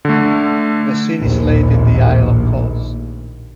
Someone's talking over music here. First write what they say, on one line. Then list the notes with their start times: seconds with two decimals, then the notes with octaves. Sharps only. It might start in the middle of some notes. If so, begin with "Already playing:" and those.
The scene is laid in the isle of Kos.
0.05 D3 A3
1.21 A#1 D#2 A2